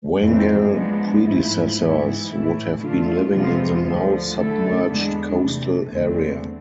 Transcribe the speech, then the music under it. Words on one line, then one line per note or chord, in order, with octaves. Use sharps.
Wangal predecessors would have been living in the now-submerged coastal area.
F2 E3 A3 C4
F3 G#3 B3 D4
G#2 F3 A3 E4
G#2 E3 B3 E4
A2 E3 A3 E4
D3 A3 D4 F4
C3 F3 G#3 B3 F4
D2 D3 F3
D3 A3 E4 A4
E2 D3 G#3 B3 D4
C3 E3 A3
E2 D3 A3 C4